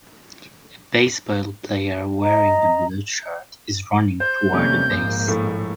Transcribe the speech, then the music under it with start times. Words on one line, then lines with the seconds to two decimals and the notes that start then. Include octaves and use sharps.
A baseball player wearing a blue shirt is running toward a base.
2.22 D#5 A#5
4.20 C5 G6
4.52 D#2 C3 G3 A3 A#3 C#4
4.91 A#1 G#2 A#3
5.28 A#1 A2 A3